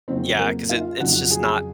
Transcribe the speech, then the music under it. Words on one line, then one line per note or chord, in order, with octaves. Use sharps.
Yeah, 'cause it it's just not
F2 C#3 F#3 C4 C5
A#3 A#4
F4 F5
F2 C#3 F#3 F#4 F#5
G#4 G#5